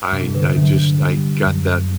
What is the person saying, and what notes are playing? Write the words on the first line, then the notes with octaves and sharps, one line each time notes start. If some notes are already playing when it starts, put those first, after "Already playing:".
I I just I got that
G2 C3
D3
D3 F#3
G3
F#2